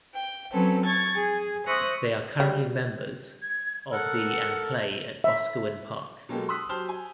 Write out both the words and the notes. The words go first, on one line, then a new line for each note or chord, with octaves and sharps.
They are currently members of the and play at Boscawen Park.
G5
F#3 C4 C#4 A4 B4
C#6 G#6 A6
G#4
C5 E5 C#6 D#6 F#6 A#6
G3
G#6
A4 A#4 F#5
E5
B2 F#3 G#3 A#3 G4 A4
C6 D#6 E6 F#6 B6
F#3 G4 C5 A5 F6 G7
G#5